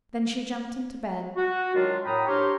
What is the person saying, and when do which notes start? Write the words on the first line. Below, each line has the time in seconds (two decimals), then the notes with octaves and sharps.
Then she jumped into bed.
1.36 F#4
1.74 D#3 F#3 G#3 D4 F4
2.05 F#2 A2 G5 A#5 B5 D#6
2.27 C#4 D4 G4 A#4 C5 C#5